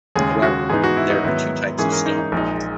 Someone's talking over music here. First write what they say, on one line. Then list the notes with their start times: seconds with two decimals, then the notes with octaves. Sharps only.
However, there are two types of stone.
0.16 D#2 C#3 G#3 G#4
0.42 F#4
0.69 G#2 E3 B3 D#4 G#4
0.84 F#4
0.97 E4
1.10 D#4
1.24 G#2 D#3 F#3 B3 E4
1.78 G#2 E3 A#3 C#4 G#4
1.92 A#4
2.06 D#4
2.19 D#4
2.32 A#1 A#2 G#3 D#4